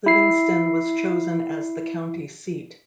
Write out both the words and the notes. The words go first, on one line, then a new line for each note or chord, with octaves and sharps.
Livingston was chosen as the county seat.
E4 C7